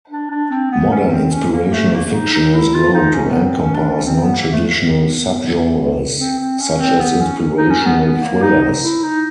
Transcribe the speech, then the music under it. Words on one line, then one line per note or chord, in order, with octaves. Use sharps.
Modern inspirational fiction has grown to encompass non-traditional subgenres, such as inspirational thrillers.
D4
D4
C4
B3
C#4
C4
C#4
A#3
A3
A#3
D#4
D#4
E4
F4
D#4
C#4
B3
C4
C#4
D4
C#4
C4
B3
A#3
A3
A#3
B3
C4
C4
C#4
C4
B3
C#4
D#4
C#4
B3
B3
A#3
D#4
E4
D#4